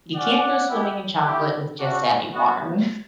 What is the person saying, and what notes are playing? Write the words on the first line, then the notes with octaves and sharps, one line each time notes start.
you can't go swimming in chocolate with just anyone.
C#4 G4 D5 F#5
B3 E4 G4
A3 E4 G4
G3 D4 F#4
B3 F#4